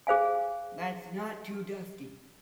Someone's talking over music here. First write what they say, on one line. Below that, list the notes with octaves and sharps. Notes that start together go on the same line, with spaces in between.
That's not too dusty.
G#4 C5 F5 G#5